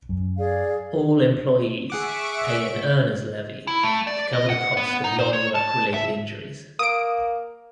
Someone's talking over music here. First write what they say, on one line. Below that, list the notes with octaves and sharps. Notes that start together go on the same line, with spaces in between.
All employees pay an earner's levy to cover the cost of non-work related injuries.
F#2
G#4 D5 F5
G#4 E5 F#5 C#6 D6 D7
E4
A3
D5
D#5
F#5
B3
D#4
C5
C#5
A5
E5
A#3 D#6 D7